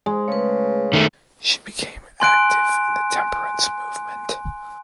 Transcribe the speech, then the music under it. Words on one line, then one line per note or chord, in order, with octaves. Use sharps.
She became active in the temperance movement.
G#3
C#3 A3 B4
D#3 A3
G#5 C6 F#6 D7